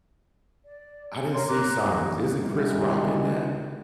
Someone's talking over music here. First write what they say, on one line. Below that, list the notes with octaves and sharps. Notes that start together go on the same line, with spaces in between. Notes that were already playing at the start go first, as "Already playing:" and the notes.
I didn't see signs, isn't Chris Rock in that?
D5
A#4 C#5 F5 C6
A#4 A#5 D6 F#6
B2 D#3 G3 G#3 B3 E4